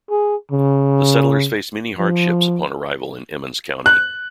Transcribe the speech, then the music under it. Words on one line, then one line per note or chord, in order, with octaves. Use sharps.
The settlers faced many hardships upon arrival in Emmons County.
G#4
C#3
F3
F#6